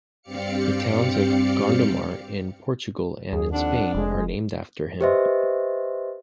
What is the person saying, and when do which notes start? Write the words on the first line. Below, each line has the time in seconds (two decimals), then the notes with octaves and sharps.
The towns of Gondomar in Portugal and in Spain are named after him.
0.22 G2 C4 G4 D5 F5 C#7
3.32 D#2 G#4
3.53 F2 D4 F#5
3.95 F1 G#3
5.01 G4 B4 C5 D#5 E5 C6